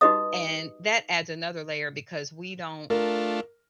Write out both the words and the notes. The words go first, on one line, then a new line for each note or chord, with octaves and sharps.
and that adds another layer because we don't
D#4 F#4 G4 B4 D#5 D#6
A3 D4 F4 A#4